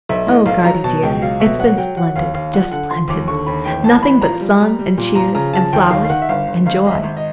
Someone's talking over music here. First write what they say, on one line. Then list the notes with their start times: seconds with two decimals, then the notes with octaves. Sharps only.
"Oh, guardy dear, it's been splendid--just splendid--nothing but sun and cheers and flowers--and joy."
0.09 B1 E5
0.27 A2 D#5
0.46 B1 F5
0.65 F#3 A#5
0.84 B2 A5
1.03 C#2 G5
1.22 F#3 F5
1.40 B2 E5
1.59 F#3 F#5
1.78 F#3 G5
1.96 F#3 F#5
2.16 D#2 F5
2.34 D#2 F5
2.54 F3 F#5
2.71 D3 F#5
2.91 F3 C6
3.09 D#2 D6
3.28 D3 C#6
3.47 D#2 B5
3.65 A1 G5
3.84 A1 A5
4.03 A1 B5
4.22 F3 A#5
4.41 G3
4.60 G3
4.79 G3
4.98 A#2
5.15 F3 A#5
5.35 C#3 A#5
5.53 F3 A5
5.73 D#2 G5
5.91 D#3 F5
6.05 F5
6.09 D#3 F#5
6.22 E5
6.29 G1 F5
6.48 G1
6.66 G#1 F5
6.86 G#1 D#5
6.91 E5
7.03 G#1
7.17 D#5